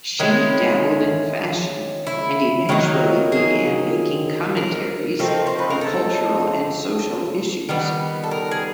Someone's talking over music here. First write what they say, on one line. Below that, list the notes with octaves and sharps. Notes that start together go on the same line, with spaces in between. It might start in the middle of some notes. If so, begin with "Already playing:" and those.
She dabbled in fashion and eventually began making commentaries on cultural and social issues.
D#3 G#3 C#4 E4
E4
D#3 F#3 A#3 D#4
G#4
A#4
F3 A3 C4 D#4
C5
B4
A#4
A4
D#3 G3 B3
A4
A#4
G#4